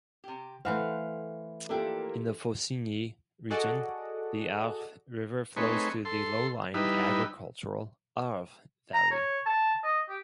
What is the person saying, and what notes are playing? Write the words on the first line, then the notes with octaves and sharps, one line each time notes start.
In the Faucigny region, the Arve River flows through the low-lying, agricultural Arve Valley.
C3 G4
E3 A3 C5 F5 F#5
A#3 D4 E4 F4 G4 A4
F#4 G#4 A4 D5 D#5 F#5
A3 C4 D#4 G#4 B4 C#5
A4 C6
G3 D#4 E4 B4
A#5
C#5
A5
D#5
G4